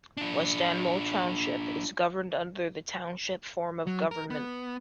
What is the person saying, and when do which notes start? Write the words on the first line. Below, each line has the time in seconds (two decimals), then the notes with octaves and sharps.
West Amwell Township is governed under the Township form of government.
0.17 D4 F4
3.87 F#3
4.11 A#4
4.30 B3